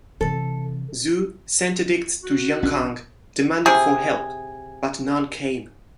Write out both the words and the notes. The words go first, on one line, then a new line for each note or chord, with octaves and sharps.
Zu sent edicts to Jiankang demanding for help but none came.
C3 E3 A4
F#4
A#1 C#4 D4
C3 G#4